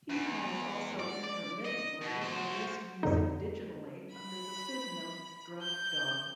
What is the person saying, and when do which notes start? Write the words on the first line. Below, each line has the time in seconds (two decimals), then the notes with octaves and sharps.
He has also intermittently released music digitally under the pseudonym Drug Dog.
0.10 E2
0.99 D5
1.24 D5
1.65 D#5
2.02 B2
2.22 F#4 C5
3.03 F2 D3 D#4
4.13 B5
5.62 G6